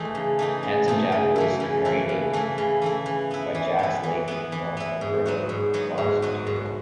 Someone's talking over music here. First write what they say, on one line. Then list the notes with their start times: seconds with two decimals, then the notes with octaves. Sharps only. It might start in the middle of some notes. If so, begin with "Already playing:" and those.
Handsome Jack was commemorated by Jack's Lake north of Burleigh Falls, Ontario.
Already playing: E3 A3 D#4
0.15 C#3
0.39 E3 A3 D#4
0.63 C#3
0.88 E3 A3 D#4
1.12 C#3
1.36 E3 A3 E4
1.60 C#3
1.85 E3 A3 E4
2.09 C#3
2.33 E3 A3 E4
2.58 C#3
2.82 E3 A3 E4
3.06 E3
3.31 B3 E4
3.55 E3
3.79 B3 E4
4.03 E3
4.28 B3 E4
4.52 E3
4.77 B3 E4
5.01 G#2
5.26 F#3 B3 F#4
5.49 G#2
5.74 F#3 B3 F#4
5.98 G#2
6.22 F#3 B3 F#4
6.47 G#2